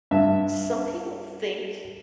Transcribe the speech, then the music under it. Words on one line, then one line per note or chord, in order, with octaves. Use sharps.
some people think
G2 E5